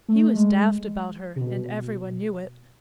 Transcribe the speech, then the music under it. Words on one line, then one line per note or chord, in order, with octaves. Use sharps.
He was daft about her, and every one knew it.
A3
G#3
C3
B2